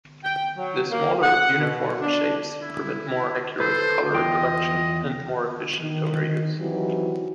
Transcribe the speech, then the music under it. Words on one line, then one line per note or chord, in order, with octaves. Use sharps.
The smaller, uniform shapes permit more accurate colour reproduction and more efficient toner use.
G5
F#3
A#3
F#5
B2
D4
E4
A4 B4 C5
E2 F4 D#5 G5
D#3
E3 F#3 C4 D#4 F#4 G4